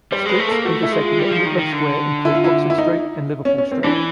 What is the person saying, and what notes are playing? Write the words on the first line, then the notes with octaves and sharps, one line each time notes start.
Streets intersecting at Whitlam Square include Oxford Street and Liverpool Street.
G3 C5
G#3 B4
A3
A4
A#3
A3 F#4
E4
G#3
F4
G3
F3
D#3
D#3
D3
E4
F4
E4
E4
D#4
C#4
C#4
C4
E3 D4